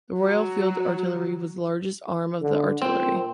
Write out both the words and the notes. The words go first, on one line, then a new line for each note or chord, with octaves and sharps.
The Royal Field Artillery was the largest arm of the artillery.
F#3
D3
A#2 C4